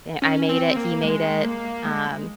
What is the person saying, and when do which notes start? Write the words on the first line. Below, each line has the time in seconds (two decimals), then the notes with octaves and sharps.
eh I made it, he made it, um
0.22 C#4
0.49 C4
0.76 A#3
1.03 G#3
1.44 A#3
1.85 G#3